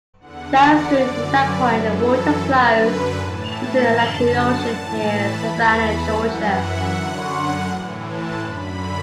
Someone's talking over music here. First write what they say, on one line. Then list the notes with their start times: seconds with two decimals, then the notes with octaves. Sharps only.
Downstream from that point, the water flows into the Atlantic Ocean near Savannah, Georgia.
0.20 E2 D3 F#5
0.57 D5
0.94 F#2 D3
1.32 B4
1.69 F#2 E3 A4
2.43 F#2 D3 B4
3.18 A2 E3 A5
3.55 A5
3.92 F#2 D3 A5
4.30 F#5
4.67 A2 E3 A5
5.04 B5
5.41 E2 E3
5.79 A5
6.16 F#2 E3 F#5
6.53 E5
6.90 F#2 D3 F#5
7.65 A2 E3
8.02 A5
8.39 F#2 D3 B5